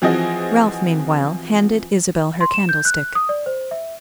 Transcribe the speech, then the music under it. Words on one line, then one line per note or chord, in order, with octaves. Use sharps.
Ralph meanwhile handed Isabel her candlestick.
E3 F3 C4 F#4 G#4 D#5
C6
E7
G6
F#6
D#6
D5
C5
E5